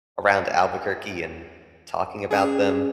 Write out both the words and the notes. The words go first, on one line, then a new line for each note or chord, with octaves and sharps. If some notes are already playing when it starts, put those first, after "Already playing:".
around Albuquerque and talking about them.
C#4 G#4